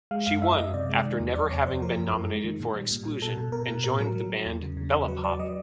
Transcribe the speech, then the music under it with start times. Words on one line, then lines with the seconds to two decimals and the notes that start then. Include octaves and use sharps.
She won, after never having been nominated for exclusion, and joined the band Bellepop.
0.11 G#3 F5
0.26 F#2 F5
0.42 F#2 E5
0.57 F#2 D#5
0.74 C3 D5
0.89 G#3
1.04 D#3
1.19 E2
1.35 F2 D5
1.50 C3 C#5
1.67 F2 C5
1.82 F3 A#4
1.97 F#2
2.14 F#2
2.29 G#3
2.44 D#3
2.60 A#2
2.76 G3
2.91 A#2
3.06 A#2
3.22 B2 A4
3.37 B2
3.52 B2 A#4
3.68 B2
3.84 A2 A#4
4.00 F#3
4.15 F#3
4.30 F#3
4.46 E2
4.62 C#3
4.77 C#3
4.92 E2
5.08 F#3 B4
5.24 F#3 D5
5.39 F#3 D#5